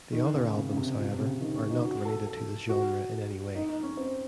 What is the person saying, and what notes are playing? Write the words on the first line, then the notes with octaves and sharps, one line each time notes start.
The other albums, however, are not related to this genre in any way.
D#3
C#3
C#3
C#3
C3
A#2
C#3
C3
C#3
D#3
C#4
D#4
F#4
A4
A4
F#4
D#4
D#4
C#4
C4